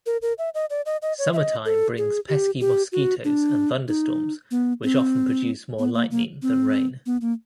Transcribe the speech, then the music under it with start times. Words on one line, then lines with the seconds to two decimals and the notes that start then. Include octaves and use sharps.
Summertime brings pesky mosquitos and thunderstorms which often produce more lightning than rain.
0.06 A#4
0.22 A#4
0.38 E5
0.54 D#5
0.70 D5
0.86 D#5
1.02 D#5
1.19 C#5
1.33 E5
1.37 D#5
1.65 A4
1.98 G#4
2.29 G4
2.61 G4
2.92 F#4
3.25 D4
3.88 D#4
4.51 B3
4.83 C4
5.79 B3
5.94 A#3
6.11 A#3
6.42 C4
7.06 B3
7.21 A#3